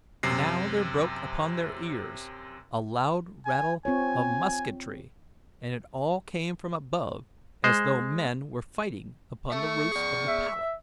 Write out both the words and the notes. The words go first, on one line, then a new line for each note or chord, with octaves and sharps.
Now there broke upon their ears a loud rattle of musketry and it all came from above as though men were fighting upon the roofs of the palace.
F#2 C3 C7
G#5
C4 F4 C#5 G#5
G#3 C5
A4 E5 C#6
G#4 D5
E5